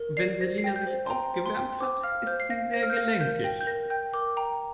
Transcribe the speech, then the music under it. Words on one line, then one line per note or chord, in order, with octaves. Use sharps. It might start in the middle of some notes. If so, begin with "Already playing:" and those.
Wenn Selina sich aufgewärmt hat, ist sie sehr gelenkig.
Already playing: A#4
D5 C7
C5 A#6
C7
G5 A#6
G6
C5
C6
G5 A#5
C5
C6
G5
C5 D6
F5 F6
C5 G6
C7
F5 A#6
C5 A#6
F6
G6
F5 A#6
A#4 G6
G5 A#6
G6
A#4 A#6
G5 G6
A#4 D6
G5 A#5